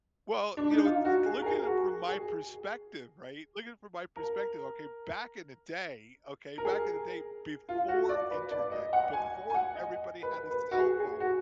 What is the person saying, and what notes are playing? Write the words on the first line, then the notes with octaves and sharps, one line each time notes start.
Well, you know, to to look at it from my perspective, right? Looking from my perspective, okay, back in the day okay, back in the day, before internet, before everybody had a cellphone.
D4
D#4
F4
F#4
G#4
A#4
G#4
F#4
G#4
A#4
A#4
G#4
F4
F#4
D5
B4
D5
D#5
F#5
G#5
G#5
F#5
D#5
B4
B4
F#4
G#4
G#4
F#4